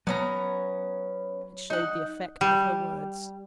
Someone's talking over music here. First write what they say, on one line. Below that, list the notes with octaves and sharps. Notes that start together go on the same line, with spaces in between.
It showed the effect of her words.
F#3 B3 C#4 A#5
D#4 F#5
G3